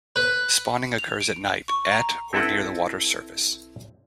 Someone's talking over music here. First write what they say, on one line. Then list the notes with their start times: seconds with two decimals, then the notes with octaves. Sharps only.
Spawning occurs at night, at or near the water's surface.
0.16 B4
0.98 F7
1.21 D7
1.68 C#6
1.92 A#5
2.33 C4 E4 A4 B4 F#5 G5